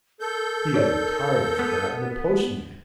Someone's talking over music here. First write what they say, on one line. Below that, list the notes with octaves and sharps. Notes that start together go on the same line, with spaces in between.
He had entirely forgotten the postman!
A4 A#4 G6
D#4 C#5 D5
B3